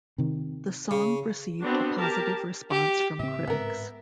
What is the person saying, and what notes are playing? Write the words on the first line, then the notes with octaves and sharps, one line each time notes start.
The song received a positive response from critics.
C3 D#3
C#3
B3 C4 D4 F#4
G4 A#4 A5
G4
A2 C#3 C4 E5
G#2 B3 A#4